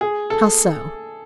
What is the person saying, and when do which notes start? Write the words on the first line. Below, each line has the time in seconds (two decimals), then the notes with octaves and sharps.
"How so?"
0.01 G#4
0.30 A4